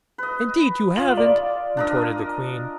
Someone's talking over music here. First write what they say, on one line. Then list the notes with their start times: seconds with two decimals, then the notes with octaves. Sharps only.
"Indeed you haven't!" retorted the Queen.
0.18 B4 D#5
0.96 F4 F#7
1.17 D5
1.77 D4 A#4 D#5